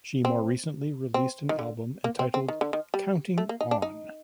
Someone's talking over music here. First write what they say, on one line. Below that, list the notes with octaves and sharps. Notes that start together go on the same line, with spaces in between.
She more recently released an album entitled "Counting On".
C4
C4
D#3
D3
A#3
C4
C4
D#3
D3
D#3
G3
A3
A#3
D#4
D4
D#4